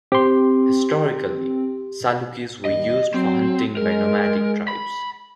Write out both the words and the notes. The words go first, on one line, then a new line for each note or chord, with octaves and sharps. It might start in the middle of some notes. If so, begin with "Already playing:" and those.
Historically, Salukis were used for hunting by nomadic tribes.
C4 G4 C6
D#2 G3 D#5
F#3 C4
G#3 A#4
B5